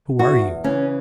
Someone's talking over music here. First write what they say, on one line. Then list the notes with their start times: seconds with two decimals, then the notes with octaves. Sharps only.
"Who are you?"
0.19 E2 F#4
0.64 C#3 E3 C#4